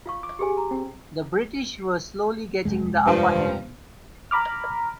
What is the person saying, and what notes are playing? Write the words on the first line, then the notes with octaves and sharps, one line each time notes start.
The British were slowly getting the upper hand.
F4 F5 C#6
D6
G4 G#4 G#5
A#5
C4
F1 D#2 G#3
G2 F3
A#5 B5 D6 F6